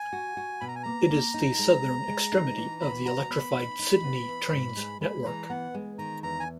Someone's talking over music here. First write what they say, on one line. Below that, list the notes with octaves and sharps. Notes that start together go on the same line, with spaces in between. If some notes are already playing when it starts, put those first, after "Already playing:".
It is the southern extremity of the electrified Sydney Trains network.
Already playing: G#5
F#4
F#4
B2 B5
A#5
G#5
A#3 A#5
A#3
D#4
G#3
G#3
G#3
D#4
E3
B3 B5
F#4 A#5
B3 B5
D#4
D#4
B3
E3
G#2
G#3
G#3 B5
E3 A#5
B3 F#5
G#3
D#3 A#5
E2 A#5
G#5